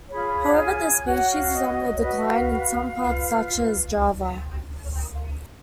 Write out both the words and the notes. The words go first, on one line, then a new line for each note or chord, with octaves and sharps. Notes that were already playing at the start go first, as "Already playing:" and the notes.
However the species is on the decline in some parts such as Java.
F4 G#4 C#5 B5
F#5
G#5
F#4 C#5 F#5
F5
D#5
C#5
F#4 B4 D#5
F5
F5
F4 B4